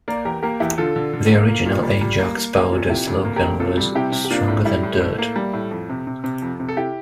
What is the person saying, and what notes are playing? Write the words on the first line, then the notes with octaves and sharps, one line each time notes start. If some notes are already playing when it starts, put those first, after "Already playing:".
The original Ajax powder slogan was Stronger than dirt!
A#3 A#4 D5
E2 G4 A#4
A#3 G4 A#4
E2 E4 G4
D3 F4 A4
D3
D3
A#3
A#3
A#2
G3
G3
A#3
A#3
A#3
A#2
A4
C3 E4 G4
D2
A#3
G4 A#4
D2
C3 F4 A4
G3
C3 E4 G4
C3
G4
A#3 D4 F4
A2
G3 E4
A2
A2
A#3
G3
A2
F2
C3
C3
C3
F2
C3
A4
E4 G4